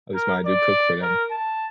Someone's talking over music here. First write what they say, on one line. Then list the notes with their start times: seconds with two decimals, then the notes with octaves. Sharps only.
at least when I do cook for them.
0.15 A#4
0.45 D5
1.02 A#4
1.31 A5